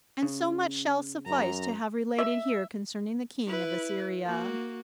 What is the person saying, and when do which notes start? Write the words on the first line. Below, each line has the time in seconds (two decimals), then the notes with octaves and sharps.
And so much shall suffice to have related here concerning the king of Assyria.
0.23 C#3
1.26 F#2 A#5
2.18 E5
3.46 E4 B4
4.24 A#3 F#4